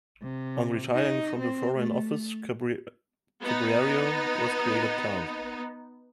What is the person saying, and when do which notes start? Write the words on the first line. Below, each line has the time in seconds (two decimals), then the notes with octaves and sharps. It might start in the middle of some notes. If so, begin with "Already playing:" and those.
On retiring from the foreign office Cibrario was created count.
0.23 C3
0.95 D#4
1.39 C4
1.78 A3
3.42 B3 D#4